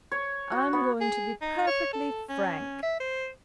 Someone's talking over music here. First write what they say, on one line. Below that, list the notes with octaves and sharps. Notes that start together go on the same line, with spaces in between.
'I'm going to be perfectly frank.
C#5
F#4
B3
G#4
D#4
C#5
A4
C#4
E5
C5